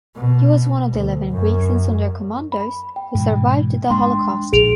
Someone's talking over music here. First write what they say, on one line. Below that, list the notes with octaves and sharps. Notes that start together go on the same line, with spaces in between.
He was one of eleven Greeks in sonderkommandos who survived the holocaust.
B2
D2
F#2
B5
G5
G#2 B2 E3
G#3 D4 G5 C6
A#1 G#4 D7 F7